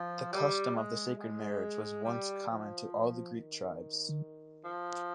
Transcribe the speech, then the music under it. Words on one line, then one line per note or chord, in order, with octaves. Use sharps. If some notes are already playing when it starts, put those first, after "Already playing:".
The custom of the sacred marriage was once common to all the Greek tribes.
Already playing: F3
G3
G#3
G#3
G3
F3
D#3
F3